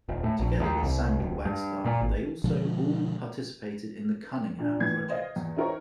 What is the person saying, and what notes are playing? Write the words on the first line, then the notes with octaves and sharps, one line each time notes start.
Together with Samuel Wagstaff they also all participated in the Cunningham project.
D#1
A2
A#1
D#2
C2
D1
G2
A#2
G#1
B2 D3 F3 G#3
A#2 D4
A2 E3 G#6
C5 D#5 F5
E2
D#4 E4 A#4 C5 C#5